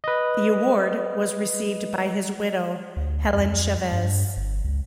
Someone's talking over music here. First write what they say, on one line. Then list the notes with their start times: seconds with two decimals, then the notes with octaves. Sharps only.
The award was received by his widow, Helen Chavez.
0.04 B4 D#5
2.97 D2
3.35 F2
3.92 G2
4.37 G1
4.64 C#2